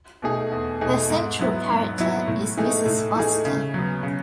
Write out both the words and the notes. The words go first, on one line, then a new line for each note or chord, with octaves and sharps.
The central character is Mrs. Foster.
B2 A3 D#4 G#4
E2
B2 A3 D#4 G#4
G#2
F#3 B3 E4
G#2
F#3 B3 E4
A2
E3 A3 D#4 G#4
A2
E3 A3 D#4 G#4
C#3
F#3 B3
C#3